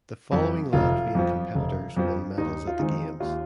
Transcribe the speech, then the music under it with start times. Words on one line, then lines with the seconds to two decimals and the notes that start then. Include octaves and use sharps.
The following Latvian competitors won medals at the games.
0.32 F2 F3
0.73 F1 F4
1.15 F2 F3
1.55 F1
1.97 F2 F3
2.38 D#2 D#4
2.67 F4
2.79 D#3 G#3 C4 D#4
3.20 D#2 F4